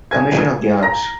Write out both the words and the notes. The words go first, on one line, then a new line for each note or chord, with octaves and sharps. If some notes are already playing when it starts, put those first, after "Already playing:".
Commission on the Arts.
G#5 G#6
A#5 A#6